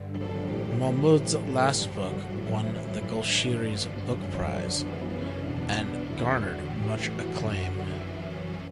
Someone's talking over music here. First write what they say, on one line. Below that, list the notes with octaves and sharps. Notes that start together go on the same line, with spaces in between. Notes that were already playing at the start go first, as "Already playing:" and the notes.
Mahmoud's last book won the "golshiri's book prize" and garnered much acclaim.
Already playing: G2 D3
A4
A2 E3 G4
A2 E3 G4
A4
G2 D3 G4
F#4
A2 E3 E4
A2 E3 E4
D4
G2 D3 A3
F#2 D3 C#4
D4
F#2 C#3 E3 B3
C#4
E2 B2 D4
E2 D3 E4
F#4
A2 E3 G4
F#4
F#2 D3
F#2 E3 E4
C#4